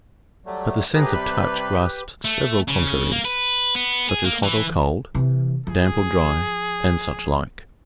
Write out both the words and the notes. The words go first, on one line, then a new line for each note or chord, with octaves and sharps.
But the sense of touch grasps several contraries; such as hot or cold, damp or dry, and suchlike.
F#3 G3 A3
A2 G4 G#4 B4 A#5
C3 G3 B5
A3
C#3
A#3
B4
B3
G#4
A#3
E3
C3 E3
F3 G#4